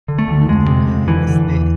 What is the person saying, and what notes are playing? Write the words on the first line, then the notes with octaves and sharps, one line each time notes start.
Mhm, okay, what's that?
D3
A3
D2
F2 G#3
C3
F2
D3 E3
D3
E2